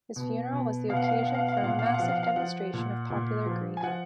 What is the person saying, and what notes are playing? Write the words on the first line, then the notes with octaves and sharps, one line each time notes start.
His funeral was the occasion for a massive demonstration of popular grief.
B2
B2
B2 F5
F#5
F5
F#5
F5
B2 F#5
F5
F#5
F5
F#5
A#2 F5
F#5
F5
F#5
F5
F3 F#5
F5
F#5
F5
F3 F#5
A#2
A#2
F3
G#5
F3 F#5